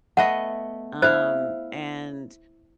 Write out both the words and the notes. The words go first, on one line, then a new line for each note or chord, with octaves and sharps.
um, and,
A3 B3 D#5 F#5
E4 C5 F5